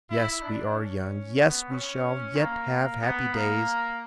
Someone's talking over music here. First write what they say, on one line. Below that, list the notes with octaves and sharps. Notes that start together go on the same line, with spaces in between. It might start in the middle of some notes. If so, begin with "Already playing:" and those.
Yes, we are young; yes, we shall yet have happy days!
E4
D4
C#4
B3
C#4
A#3
B3
A#3